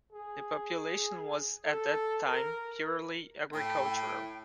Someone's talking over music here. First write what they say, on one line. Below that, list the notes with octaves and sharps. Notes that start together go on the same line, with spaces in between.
The population was at that time purely agricultural.
G#4
A4
A#4
A2 G5